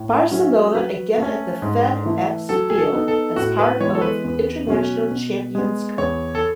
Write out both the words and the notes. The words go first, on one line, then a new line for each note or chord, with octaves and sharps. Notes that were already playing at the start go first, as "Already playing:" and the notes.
Barcelona again at the FedExField as part of International Champions Cup.
Already playing: A2
F#3 C#4 E4
F#3 B4
A3 C#4
G#2
E3 A3 E4
F#3 A4
G#4
A4
B3 D#4
A4
A2 F#4
B4
E3 G#3 B3 C#5
A4
B4
E2
B2 F#3 C#4
B2
G#3 B3
E2 C#5
A4